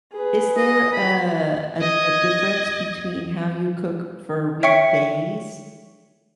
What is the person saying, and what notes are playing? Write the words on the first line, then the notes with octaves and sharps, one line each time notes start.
Is there, uh, a a difference between how you cook for weekdays
G#4 B4
D#5
B5
D#5 G#6
C#5 E5 G5 C#6 B6 C#7